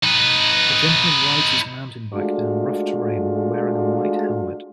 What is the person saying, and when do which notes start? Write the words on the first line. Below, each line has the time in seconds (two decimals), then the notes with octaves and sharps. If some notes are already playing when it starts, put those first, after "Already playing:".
A gentleman rides his mountain bike down rough terrain while wearing a white helmet.
0.04 D#4 B4
2.14 G#3 A3 D4 F4 F#4